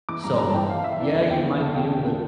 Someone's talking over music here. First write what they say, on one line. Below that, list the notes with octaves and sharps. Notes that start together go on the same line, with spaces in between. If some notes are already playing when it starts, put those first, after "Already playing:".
so, yeah, you might be able to
E3 D6
G2 A#5
G2 A#5
A5
E3 G5
E3 F5
F5
E3 E5
E3 D5
E2 D5
E2 G5
D3
D3 A5
F5
E2 G5
D3 G5
D3 A5